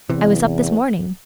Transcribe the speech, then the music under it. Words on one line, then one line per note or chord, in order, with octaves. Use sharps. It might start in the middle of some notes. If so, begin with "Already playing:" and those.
"I was up this morning."
E2 C3 E3
E2